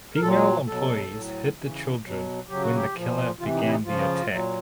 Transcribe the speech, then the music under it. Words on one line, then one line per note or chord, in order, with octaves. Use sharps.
Female employees hid the children when the killer began the attack.
A#4
A#2 F#3 A4
B2 F#3 A4
A2 F#3
C#3 E3
B2 F#3
C#3 F#3 G4
F#4
G4
A#2 F3
C3 E3 F4
D#4
E4
D#4
C#3 F3 F4
A#2 F#3